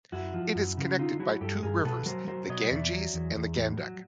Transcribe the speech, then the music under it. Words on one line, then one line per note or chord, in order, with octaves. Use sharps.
It is connected by two rivers, the Ganges and the Gandak.
F#2 E4 F#4
F3
F#2
C#3
D3 D#4 F4
F#3 E4 F#4
G2 G4 A4
G2 G#4 A#4
B2 A4 B4
F#3 A#4 C5
F#3 A#4 C5
B2 C#5 D#5
E2 D5 E5
F#3
E2
E2
A2
F#3